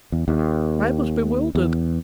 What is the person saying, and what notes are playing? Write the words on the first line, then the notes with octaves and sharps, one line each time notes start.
I was bewildered.
E2
D#2
E2